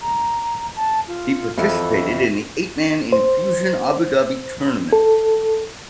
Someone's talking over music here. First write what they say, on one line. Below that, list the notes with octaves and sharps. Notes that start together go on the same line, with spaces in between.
He participated in the eight man Enfusion Abu Dhabi tournament.
A#5
A5
F4
F2 E3 A4
C5
A4